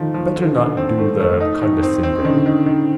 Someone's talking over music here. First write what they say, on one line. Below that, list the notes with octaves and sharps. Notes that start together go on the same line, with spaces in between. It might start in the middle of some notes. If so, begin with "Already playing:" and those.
Better not do the condescending.
Already playing: D#3 F3 A3 D#4
F3
D3
D3
C4
A3
A3
D#4
D#3
C4
C4
C#4
D3 D#3 D4
D#3
D#3